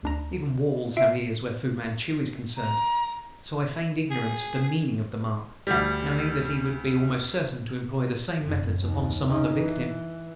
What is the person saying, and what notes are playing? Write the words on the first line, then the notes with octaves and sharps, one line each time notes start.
Even walls have ears where Fu-Manchu is concerned, so I feigned ignorance of the meaning of the mark, knowing that he would be almost certain to employ the same methods upon some other victim.
D2 D4 A#5
F4 E5 C7 D7
A#5
G#4
D2 G3
F#1 F2
D#2
C#3 D#4
E3